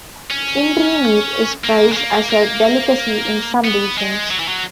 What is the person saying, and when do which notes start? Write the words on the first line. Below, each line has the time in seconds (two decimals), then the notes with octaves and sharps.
Indri meat is prized as a delicacy in some regions.
0.31 C#4
1.64 A#3
1.92 G#3
1.97 A#3
2.30 A#3
3.64 B3
3.97 G#3
4.31 F#3
4.40 E3
4.48 F#3